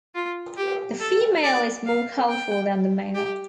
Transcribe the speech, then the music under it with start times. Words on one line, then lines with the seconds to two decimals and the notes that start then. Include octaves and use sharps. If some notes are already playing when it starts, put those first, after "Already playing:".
The female is more colourful than the male.
0.15 F4
0.57 G4
1.00 A4
1.43 D5
1.86 F5
2.29 G5
3.15 G4